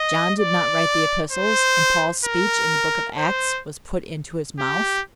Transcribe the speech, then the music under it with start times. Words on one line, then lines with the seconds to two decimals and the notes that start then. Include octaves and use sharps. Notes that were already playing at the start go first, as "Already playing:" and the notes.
John did not write the epistles, and Paul's speech in the Book of Acts was put into his mouth!
Already playing: D#5
0.39 D5
1.32 C5
2.25 A#4
3.18 C5
4.59 G4